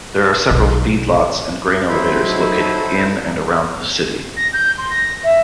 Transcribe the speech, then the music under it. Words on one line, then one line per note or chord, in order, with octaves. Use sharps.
There are several feedlots and grain elevators located in and around the city.
B1
F#3 D#4 E4 A4 C5 B5
A#6
G6
C6
A#6
E5